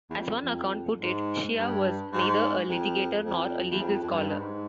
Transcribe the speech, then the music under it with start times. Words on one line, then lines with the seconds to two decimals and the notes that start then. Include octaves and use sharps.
As one account put it: Shea was neither a litigator nor a legal scholar.
0.10 E2
0.16 F2
0.45 F2
1.01 G#2
1.57 G2
2.13 G#2
2.69 F2
3.24 F2
3.71 E2
3.82 F2
4.03 F2
4.10 G2
4.29 G2
4.37 G#2